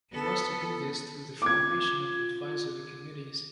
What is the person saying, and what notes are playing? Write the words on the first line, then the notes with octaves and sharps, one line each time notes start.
He was to do this through the formation of advisory committees.
B3 A4
F4 D6 G#6